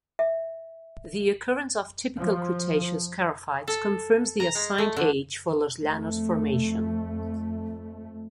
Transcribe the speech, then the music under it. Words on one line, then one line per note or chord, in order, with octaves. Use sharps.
The occurrence of typical Cretaceous charophytes confirms the assigned age for Los Llanos Formation.
E5
F3
A4
A#5
G#3
A3
D3
F2 A3